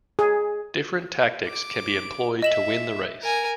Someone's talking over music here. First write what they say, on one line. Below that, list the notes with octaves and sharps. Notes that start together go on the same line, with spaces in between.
Different tactics can be employed to win the race.
G#4
D6
D#5 E5 E7 F#7
A#4 G#5